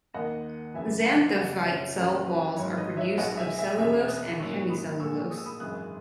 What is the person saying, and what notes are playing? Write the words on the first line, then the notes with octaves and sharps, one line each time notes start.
Xanthophyte cell walls are produced of cellulose and hemicellulose.
D#2 D#3 A#3 D#5 F#5
F#1 E2 C#3 E3 E5 G#5
D#5 F#5
F#1 F#2 C#3 D#5 F#5
C#5 E5
F#1 F#2 C#3 E3 B4
B4
G#1 G#2 F#3 C#5
B4 D#5
C#5 E5
B1 B2 G#3 D#5 F#5
E5 G#5
E5 G#5
E2 B2 G#3 C#4 E5 G#5
D#6 F#6
G#1 G#2 F#3 A#3 C#4 C#6 E6
B5 D#6
A#1 A#2 G#3 C#6 E6
D#6
E6
B5 D#6
G#1 F#2 E3 G#3 D#6 F#6